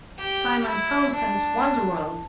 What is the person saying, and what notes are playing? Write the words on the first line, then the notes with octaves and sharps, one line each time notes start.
Simon Townsend's Wonder World!
G4
E4
D4